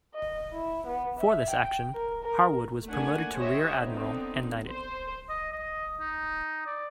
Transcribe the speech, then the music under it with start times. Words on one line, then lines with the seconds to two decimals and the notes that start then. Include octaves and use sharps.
For this action, Harwood was promoted to rear admiral and knighted.
0.14 D#5
0.53 E4
0.86 B3
1.19 E5
1.50 G5
1.95 A#4
2.23 A#4
2.85 A3 A#3 D4 F#5 G#5
3.35 G4 C5 C#5 D#5 E5
3.82 D3 B3 C4 D#4
4.69 C5
5.29 D#5
5.52 D#5
6.00 D#4
6.66 D5